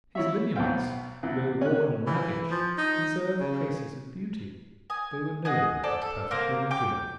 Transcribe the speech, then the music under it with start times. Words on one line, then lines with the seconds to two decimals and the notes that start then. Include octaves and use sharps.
His lineaments, though worn and ravaged, conserved traces of beauty; they were noble and perfectly regular.
0.15 E4 C#5 E5
0.56 B1 B3 C5 F5 G5
1.23 E2 E4
1.61 C#4 F#6
2.07 E3
2.51 F3
2.78 D#4
3.40 C#3
4.90 G#5 D#6
5.45 G#4 D#5 F#5
5.83 A4 C5 D5
6.02 A4
6.31 A#3 A#4 C5 F5
6.71 G5 D6